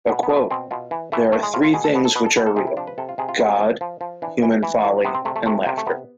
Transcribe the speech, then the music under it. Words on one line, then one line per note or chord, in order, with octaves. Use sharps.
A quote: There are three things which are real: God, human folly, and laughter.
B2 B3
B3
B2
A3
B2 C4
B2 F4
E3
E3 A3
A2 A3
G#3
A2 F4
F4
B2 G#4
A4
B2 B4
A4
B2 B4
A4
B2 B4
A4
C3 G#4
E4
F3 D4
B4
C3 A4
F4
C3 G#4
F4
C3 E4
F3
F3
F3
E3 D4
E3
E3
A2
C3 B3
C4
C3 A3
A3
C3 A3
C3
A3
C3 B3